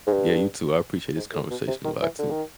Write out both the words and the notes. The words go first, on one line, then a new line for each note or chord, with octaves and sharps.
Yeah, you too. I appreciate this conversation a lot, too.
G#2
G2
G#2
A2
B2
C3
D#3
E3
D3
D#3